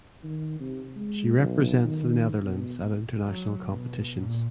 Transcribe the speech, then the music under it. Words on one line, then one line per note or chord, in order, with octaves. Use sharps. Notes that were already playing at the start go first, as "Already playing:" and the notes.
She represents the Netherlands at international competitions.
D#3
C3
G#3
B1
D#3
B2
F#3
B2
A#2